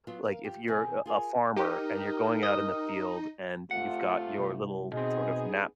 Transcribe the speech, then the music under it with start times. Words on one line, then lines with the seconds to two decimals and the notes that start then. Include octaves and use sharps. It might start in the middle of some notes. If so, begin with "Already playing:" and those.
like if you're a a farmer and you're going out in the field and you've got your little sort of knap
0.07 F#3 B3 F4
0.25 A#4 F5
0.44 F4 G4
0.67 B2 D#3 C4 G#4
1.06 F4 G#4 A#4
1.56 D#4 G4 A#4
2.43 D#5
3.71 C3 A3 F4 F#5
4.38 C2
4.93 B2 B3 C4 D#4 G#4 D#5